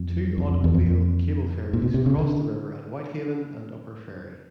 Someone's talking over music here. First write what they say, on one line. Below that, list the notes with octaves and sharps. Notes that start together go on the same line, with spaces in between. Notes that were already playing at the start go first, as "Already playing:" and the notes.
Two automobile cable ferries cross the river at Whitehaven and Upper Ferry.
Already playing: F2
F2
E2
F2
A#2
B2
C3
C#3
D3